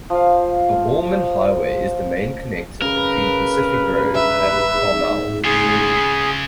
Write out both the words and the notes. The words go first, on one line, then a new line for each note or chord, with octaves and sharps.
The Holman Highway is the main connector between Pacific Grove and Carmel.
F3 F5
C#3 A#4 B4
E5
C#3 F4 G#4